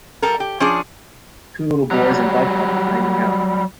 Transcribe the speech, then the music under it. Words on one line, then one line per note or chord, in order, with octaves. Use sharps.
Two little boys in bike helmets hanging out.
G3 A4 A#4
G4
F3 C#4 D4 G#4 D5
F#3 G3